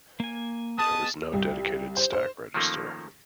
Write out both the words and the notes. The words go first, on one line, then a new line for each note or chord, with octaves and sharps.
There was no dedicated stack register.
A#3 G#5
B3 G#4 D#5 A5 D#6
C2
C5
C5
D#3 F3 A3 A#3 C#4